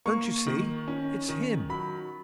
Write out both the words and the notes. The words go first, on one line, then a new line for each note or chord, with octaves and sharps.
"Don't you see? It's him!"
A#3 C#6
D#3
C#4
D#3
F#3 B5